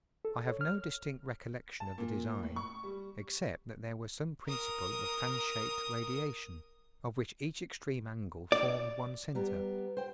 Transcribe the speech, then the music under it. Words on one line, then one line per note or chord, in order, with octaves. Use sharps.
I have no distinct recollection of the design, except that there was some principle of fan-shaped radiation, of which each extreme angle formed one centre.
A4
C#5
F6
A5
A#2
A2
C#6
G3
A#4 D#6
D5
G3 B3 A#5
C5 G5